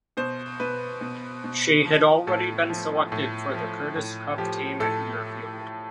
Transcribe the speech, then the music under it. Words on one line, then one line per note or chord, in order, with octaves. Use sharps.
She had already been selected for the Curtis Cup team at Muirfield.
B2 C5
B2 B4
B2
B2
F3
A2 A4
F3
A2
F3
A2
F3 G4
A2 A4